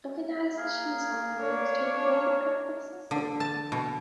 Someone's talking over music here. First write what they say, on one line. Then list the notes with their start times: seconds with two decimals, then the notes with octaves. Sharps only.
Tokenization is often used in credit card processing.
0.57 A#3 G#4 A#4
1.41 D4 C#5
3.11 D3
3.40 A5
3.72 B2